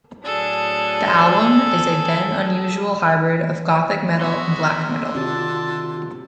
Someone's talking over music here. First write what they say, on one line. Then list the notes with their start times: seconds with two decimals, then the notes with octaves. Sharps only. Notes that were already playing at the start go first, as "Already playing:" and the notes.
The album is a then-unusual hybrid of gothic metal and black metal.
0.24 A2 F#3 D4 G#4 A4
4.17 D3 B3 F#4 E5 C6
5.15 C3 D#3 F4 F#4 A5